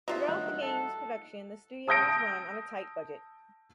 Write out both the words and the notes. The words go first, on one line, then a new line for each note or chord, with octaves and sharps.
Throughout the game's production, the studio was run on a tight budget.
F#3 D#4 F4 G4 D#5 E5
G2 D#3 D#4 F#5
A4
A5 D#6 E6 G6 A#6 D7